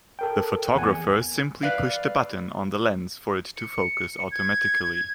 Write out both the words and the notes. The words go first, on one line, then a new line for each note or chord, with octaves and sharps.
The photographer simply pushed a button on the lens for it to focus automatically.
A4 A#4 G5
E2 F#5 G#5
B4 D5 F5
C#7
G#6